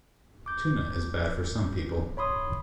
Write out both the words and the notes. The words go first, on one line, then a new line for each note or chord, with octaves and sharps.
Tuna is bad for some people.
D6 G6
C#5 B5 C6 D#6